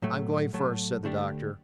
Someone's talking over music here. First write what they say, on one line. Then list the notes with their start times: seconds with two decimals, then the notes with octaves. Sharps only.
"I'm going first," said the doctor.
0.02 A2 F#3 A3
0.53 A2 F#3 A3
1.03 D2 D3 A3 D4 G4